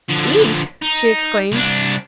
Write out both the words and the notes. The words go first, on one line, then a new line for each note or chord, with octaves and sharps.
"Eat!" she exclaimed.
D3 F3
D#4
C2 D4